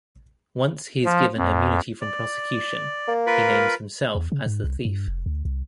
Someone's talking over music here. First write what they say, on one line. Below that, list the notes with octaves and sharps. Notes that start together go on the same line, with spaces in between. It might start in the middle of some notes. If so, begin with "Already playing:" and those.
Once he is given immunity from prosecution, he names himself as the thief.
F3
F2
D5
A#3
F4 A#4 B4
E2
C#3
G#2
C2
G2
F1
D2
C2